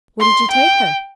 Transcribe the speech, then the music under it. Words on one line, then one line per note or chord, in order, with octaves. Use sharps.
'What did you take her?'
C6
G5